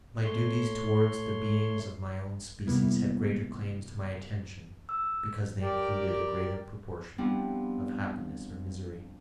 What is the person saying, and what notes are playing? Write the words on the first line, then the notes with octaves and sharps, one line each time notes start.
My duties towards the beings of my own species had greater claims to my attention because they included a greater proportion of happiness or misery.
A2 A3 C#5 C6
E2 C3 G3 A#3 B3 E4
E6
G4 A#4 D5 G5
F3 G3 B3 C4 D4 E4